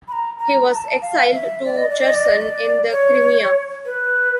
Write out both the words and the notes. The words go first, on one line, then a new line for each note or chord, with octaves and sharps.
He was exiled to Cherson in the Crimea.
B5
A#5
A#5
A#5
A5
F5
E5
D5
D#5
D5
D#5
D5
D#5
D#5
D5
C#5
B4